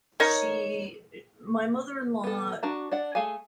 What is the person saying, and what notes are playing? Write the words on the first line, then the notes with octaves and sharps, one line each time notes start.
she eh, my mother-in-law
D#4 A#4 C#5
B3 A4
D4 F#4 A#5
D4 D5 F#5
A3 G#4 A4 F5 G#5